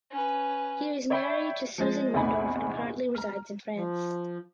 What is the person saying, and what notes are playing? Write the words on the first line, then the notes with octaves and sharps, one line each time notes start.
He is married to Susan Wendorf and currently resides in France.
C#4 B4
C#5 D5 E5 G5 B5 C#6
F3 G#3 A6
A#1 E2 C3 D#4 G#5 B5
A#5 F6
F3